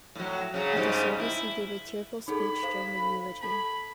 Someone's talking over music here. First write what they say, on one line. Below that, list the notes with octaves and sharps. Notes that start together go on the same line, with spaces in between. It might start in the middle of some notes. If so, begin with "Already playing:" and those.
At the service, he gave a tearful speech during the eulogy.
A2 F#3
C#3 F#3
G#2 C#3 G3
E4
D#4 G#4 A4 B5
A4 C5 F5
A4 A5 B5 F#7